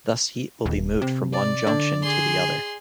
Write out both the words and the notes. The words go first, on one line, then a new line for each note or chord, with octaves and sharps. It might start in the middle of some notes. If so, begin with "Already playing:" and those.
Thus heat will be moved from one junction to the other.
D#1
C3
D5
D3
G#4 C6